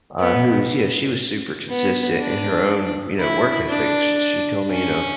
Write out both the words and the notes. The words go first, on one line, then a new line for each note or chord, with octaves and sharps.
uh, who's yeah, she was super consistent in her own, you know, work ethic, sh she told me, you know,
B3
B3
D4
E4
D4
C#4